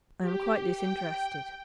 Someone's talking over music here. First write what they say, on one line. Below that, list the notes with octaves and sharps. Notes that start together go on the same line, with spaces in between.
I am quite disinterested.'
G4
G5